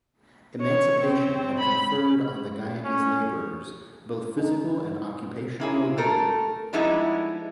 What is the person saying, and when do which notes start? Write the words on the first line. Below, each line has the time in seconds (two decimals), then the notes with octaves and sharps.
Emancipation had conferred on the Guianese laborers both physical and occupational mobility.
0.61 C#5
1.04 C4
1.60 B5
2.85 C#4
4.37 D#4
5.60 A#3 E4 G#4
5.98 A3 A4 A#4
6.73 F3 G3 G#3 B3 D#4 E4